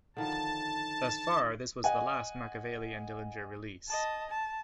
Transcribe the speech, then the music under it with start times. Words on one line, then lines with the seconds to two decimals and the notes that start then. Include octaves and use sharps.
Thus far, this was the last Makaveli and Dillinger release.
0.17 D3 D#3 F3 A5
1.84 D#5 F#5 G#5
3.88 D#5 A5
4.29 A5